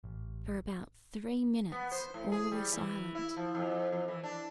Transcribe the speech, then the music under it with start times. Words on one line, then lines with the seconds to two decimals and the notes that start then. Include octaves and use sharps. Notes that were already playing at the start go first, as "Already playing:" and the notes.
For about three minutes all were silent.
0.04 A1
1.72 B3
1.92 C5
2.14 A2
2.32 G#4
2.52 G3
2.72 E3
3.15 E4
3.37 F3
3.55 F2
3.92 F2
4.08 E3
4.23 D4